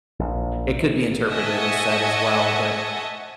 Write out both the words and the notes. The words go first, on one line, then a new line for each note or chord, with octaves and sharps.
it could be interpreted as set as well. But,
A#1
D#5 E5 F#5 G#5 A5 C#6